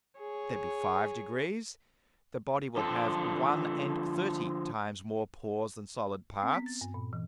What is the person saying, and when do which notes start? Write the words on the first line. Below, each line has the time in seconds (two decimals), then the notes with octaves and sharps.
If there be five degrees, the Body will have one and thirty times more Pores than solid Parts.
0.19 G#4 C#5
2.77 D3 F3 A4
6.43 C4
6.54 B3
6.66 A6
6.81 G2
6.94 A#2
7.13 E3